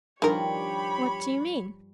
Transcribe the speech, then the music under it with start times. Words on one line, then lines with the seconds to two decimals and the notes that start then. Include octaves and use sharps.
What do you mean?
0.22 G2 D#3 F3 G3 G4 A#4 C#5 B5